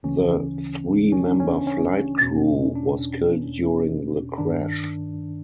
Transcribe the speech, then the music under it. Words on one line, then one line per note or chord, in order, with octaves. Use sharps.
The three member flight crew was killed during the crash.
D2 C#3 E3 C#4
C#4
D4
C#4
C#4
E2 B2
D4
G2 D#3 D4